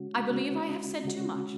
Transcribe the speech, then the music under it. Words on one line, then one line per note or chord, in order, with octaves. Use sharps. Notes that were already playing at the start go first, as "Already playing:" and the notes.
I believe I have said too much.
Already playing: C#3 G#3 C#4 F#4
C#3 G#3 C#4 F#4
C#3 G#3 C#4 F#4